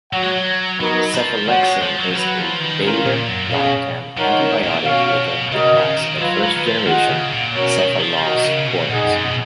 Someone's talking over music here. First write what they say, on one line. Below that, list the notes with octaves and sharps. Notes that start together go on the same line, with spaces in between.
Cefalexin is a beta-lactam antibiotic within the class of first-generation cephalosporins.
F#3 F#4 C#5 F#5
G#3
F#3
F#3 B3 D#4 F#4 A#4
F3
F3 F#4 C#5 F#5
G#3
F3
F#3
F3
F#3 F#4 B4 F#5
F3
D#3
D#3 C#4 F4 A#4 F5
A#2
F#2
B2 C#4 G#4 C#5 F5
F3 D#4 A#4 C#5 F#5
D#3
A#2
B2 C#4 F#4 C#5 F5
C#3 F#4 A#4 D#5
C#3
D#3
F3
F#3 F4 B4 F5
F#3
D#3
F3
D#3 F4 G#4 D#5 F#5
C#3
A#2
B2 C#4 F#4 A#4 C#5
D#3
F3
D#3 F#4 A#4 D#5
B2
C#3
B2
A#2 D#4 G#4 D#5 F#5
F2
F#2
B2